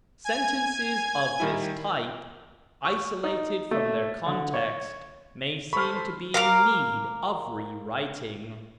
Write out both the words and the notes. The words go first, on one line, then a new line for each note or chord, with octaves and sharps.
Sentences of this type, isolated from their context, may seem to be in need of rewriting.
G#5 G#6
D#3 G3 E4
C#6
D#4
A3
D3
C#5
A4 C5 B5 C#6 F6
A#4 F5 D6 F6